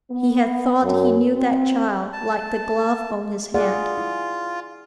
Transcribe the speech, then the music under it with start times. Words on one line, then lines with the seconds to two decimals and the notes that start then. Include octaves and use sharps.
He had thought he knew that child like the glove on his hand.
0.11 B3
0.82 F#2
1.34 C4
2.13 A5
3.54 F4 G#4 D5 F#5
3.98 E4